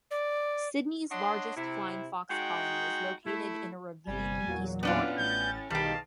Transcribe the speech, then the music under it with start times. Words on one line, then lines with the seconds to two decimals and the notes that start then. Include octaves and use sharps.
Sydney's largest flying fox colony is located in a ravine in East Gordon.
0.11 D5
1.10 D4 C#5 D#5 F#5 C6
1.56 C3 E4
2.30 G#3 D#4 F#4 G5
3.26 A3 E4
4.07 G1 C3 G3 G#5
4.46 E2 A#2 F#3
4.83 A2 B3 C#4 D4 F4 D5
5.18 A1 G6 A6
5.70 B1 E2 D#3 G3 G4 D#5 F5 A5